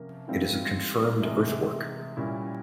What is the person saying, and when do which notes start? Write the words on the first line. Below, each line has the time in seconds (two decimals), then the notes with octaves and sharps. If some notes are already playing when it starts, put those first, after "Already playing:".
It is a confirmed earthwork.
Already playing: C3 F3 A#3 C#4
0.27 G#2 E3 G3 C4 F4
1.22 C3 E3 G#3
2.17 A#2 G3 C#4 E4